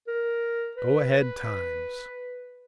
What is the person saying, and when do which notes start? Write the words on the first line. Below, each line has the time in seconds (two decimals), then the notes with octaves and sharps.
Go-ahead Times!
0.08 A#4
0.77 B4